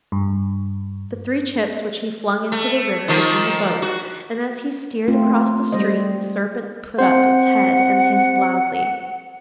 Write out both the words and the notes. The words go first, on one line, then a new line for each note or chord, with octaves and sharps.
The three chips which he flung into the river became a boat, and, as he steered across the stream, the serpent put up its head and hissed loudly.
G2
A3
D#3 F3 A#3
F#4
A3 C4 F4
G3 G#3 C5 D#5
C4 C5 F#5